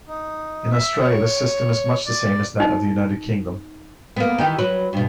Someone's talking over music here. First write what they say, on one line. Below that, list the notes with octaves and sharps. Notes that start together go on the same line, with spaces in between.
In Australia, the system is much the same as that of the United Kingdom.
D#4
E5
C#5
D5
D#4
A#3 B3
D#3 E3 G4
F#3 B4
G2 B2